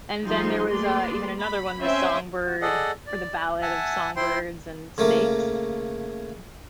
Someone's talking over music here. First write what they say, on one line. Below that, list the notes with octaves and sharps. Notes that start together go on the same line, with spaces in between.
And then there was, uh, even another one, The Songbird or "The Ballad of Songbirds and Snakes"?
F3 G3 D#4 G#4 C6
A3 A#3 G#4 B4 D5 C6
B5
C4 C#4 E5 G5 G#5 C6
F#4
G#4 A4 D5 D#5 F#5
D5
E5 F#5 G#5 A5
E4 C5 G5 C6
C#3 A3 A#3